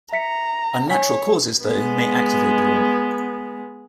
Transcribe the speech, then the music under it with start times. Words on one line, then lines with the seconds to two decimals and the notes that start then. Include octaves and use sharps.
Unnatural causes, though, may activate the rule.
0.13 E5 A#5 B6 C#7
0.90 C#5 G#5 B6
1.65 G#3 B3